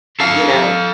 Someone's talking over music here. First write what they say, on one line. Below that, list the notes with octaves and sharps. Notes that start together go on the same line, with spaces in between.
you know?
A4 F5